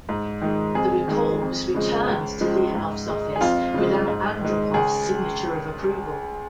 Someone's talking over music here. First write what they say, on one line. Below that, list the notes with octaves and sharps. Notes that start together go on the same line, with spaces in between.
The report was returned to Leonov's office, without Andropov's signature of approval.
G#2
D#3 G#3
F2 G#4
D#3 G#3
F2
C#3 F3 G#3
C#2
C#3 F3 G#3
G#2
G#3
G#4
F2 F4
C#3 F3 G#3
G#2
D#3 G#3
C#2 G#4